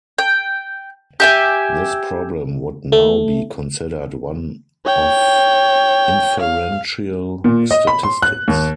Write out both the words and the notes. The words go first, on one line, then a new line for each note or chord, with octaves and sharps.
This problem would now be considered one of inferential statistics.
G5
G4 E5 G#5
A3
C#5 G5
F5
A#2
D#5
B5
C6
F#6
D#2